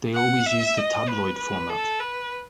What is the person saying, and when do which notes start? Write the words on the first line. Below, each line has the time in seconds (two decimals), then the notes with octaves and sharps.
They always use the tabloid format.
0.15 F#5
0.46 E5
0.78 D#5
1.08 B4
1.38 B4
1.70 A4
2.00 B4